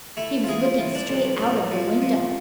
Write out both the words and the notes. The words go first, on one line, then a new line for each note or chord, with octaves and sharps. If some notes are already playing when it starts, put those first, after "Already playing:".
He was looking straight out of the window.
A3 E4
F4
E3 G#4
F4
E3
D4
B1
A2
F3
F3